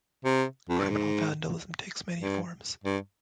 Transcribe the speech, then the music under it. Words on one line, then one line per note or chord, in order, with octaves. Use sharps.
Criminal vandalism takes many forms.
C3
F2
G2
G#2
G2
G2